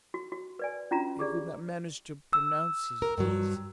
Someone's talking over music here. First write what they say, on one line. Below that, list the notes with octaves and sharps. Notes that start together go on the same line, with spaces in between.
He could not manage to pronounce his Ds.
F#4
F#4
B4 D5 G#5
C#4 D4 F4 F#4 A#5
G4 G#4 D5
E6
A#4
G2 F#3